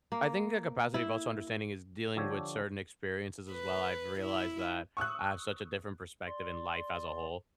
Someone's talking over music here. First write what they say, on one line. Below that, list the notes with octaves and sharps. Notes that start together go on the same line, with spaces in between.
I think the capacity of also understanding is dealing with certain experiences as well, I've realized that I have such a different perspective in life as a whole.
A#3
E4
D3 F3 D4 G4 A4 C#5
B4
E4
C#6 D#6 E6 F#6
D5 C6